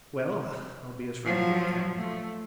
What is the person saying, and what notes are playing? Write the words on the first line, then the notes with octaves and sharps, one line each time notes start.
Well, I'll be as frank as I can.
F3 F#3
A3